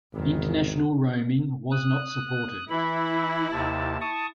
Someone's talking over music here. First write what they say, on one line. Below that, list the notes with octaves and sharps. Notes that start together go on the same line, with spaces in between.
International roaming was not supported.
G#1 E2 D#3
D#6 F#6
E3 E4 B5
D#2 C3 A5
A5 C#6 D#6